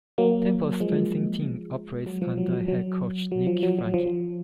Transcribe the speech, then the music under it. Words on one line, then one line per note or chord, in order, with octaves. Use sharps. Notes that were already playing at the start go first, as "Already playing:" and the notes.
Temple's fencing team operates under head coach Nikki Franke.
F#3 A#3
F3 G#3
F#3
F3
F#3
F#3
F#3
F#3
F3
F#3
F#3
F3